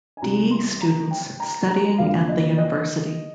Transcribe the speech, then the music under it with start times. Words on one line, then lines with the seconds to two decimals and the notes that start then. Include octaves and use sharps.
D. students studying at the university.
0.17 G#5
0.22 C2 C3 G3 A#5
0.51 C6
0.81 A#5
1.11 G5
1.40 A#5
1.69 A#5
1.98 F1 F2 D3 F3 A#3 F5
2.28 D#5
2.57 D#5